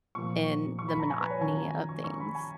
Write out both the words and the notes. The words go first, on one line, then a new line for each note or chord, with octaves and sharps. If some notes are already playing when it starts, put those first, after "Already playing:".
in the monotony of things.
A#2 F3 A#3 C#6
C#6
B5
A#5
G#5
B4
C#5
D#3 F#3 C#4 F4 G#5
A#5
C#6
C#6
B5
G#5